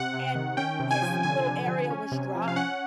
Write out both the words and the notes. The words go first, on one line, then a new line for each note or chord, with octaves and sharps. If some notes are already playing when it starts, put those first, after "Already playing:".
and his little area was dry.
Already playing: C3 F#5
C3
D#3
C#4 G5
C3
G#5
F3
D3 G#5
D3
F3
C#4
C3
F3
F5
C#4 F#5